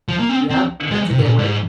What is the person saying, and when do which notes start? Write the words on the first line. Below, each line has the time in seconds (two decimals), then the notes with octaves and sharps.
Yep, that's a good one.
0.09 F3
0.19 A#3
0.29 C4
0.50 C4
0.91 G#3
1.11 C3
1.19 G#2
1.25 A#2
1.39 G#2